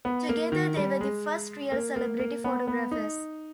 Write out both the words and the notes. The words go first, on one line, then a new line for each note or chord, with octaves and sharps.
Together, they were the first real celebrity photographers.
B3
A#3
D#3
G3
G#3
A#3
A#3
A#3
B3
B3
D#4